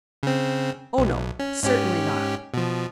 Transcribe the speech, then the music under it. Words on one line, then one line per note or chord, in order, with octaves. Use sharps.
"Oh, no, certainly not!"
C#3 C4
B1
C#4
G#2 C#4 G4
B2 F3